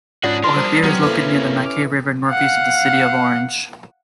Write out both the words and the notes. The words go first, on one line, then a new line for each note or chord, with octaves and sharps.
Ophir is located near the Macquarie River northeast of the city of Orange.
G#2 C#4 D4 F4 F#4 D5 F#5 D#6
D4 A#4 C6
G3 C5 A#5 D#6
C3 F#3 B3 C#4 G4 A#5
A#3 E4 A4 B4
C#4 D6 F6
F5 F#5